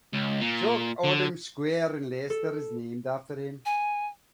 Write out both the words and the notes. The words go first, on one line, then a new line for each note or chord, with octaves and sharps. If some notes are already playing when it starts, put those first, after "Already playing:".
Shaykh Adam Square in Leicester is named after him.
C#2
A#2
D3
A4
G#5